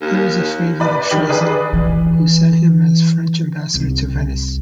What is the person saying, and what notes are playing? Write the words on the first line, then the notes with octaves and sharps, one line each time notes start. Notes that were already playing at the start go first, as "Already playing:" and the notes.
He was a favourite of Choiseul, who sent him as French ambassador to Venice.
D#2
B4 D5 B5
D#3 G4 F#7
G#4 B4 D5
E3
C2